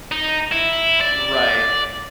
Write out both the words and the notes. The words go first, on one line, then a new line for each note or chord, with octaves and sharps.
Right, a
D#4
E4
D5